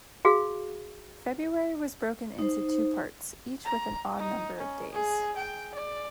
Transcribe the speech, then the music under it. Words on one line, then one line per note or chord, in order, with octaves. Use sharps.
February was broken into two parts, each with an odd number of days.
F#4 G#4 F5
D#4 C5
A#5
D#4
C#4
G#4
G5
D5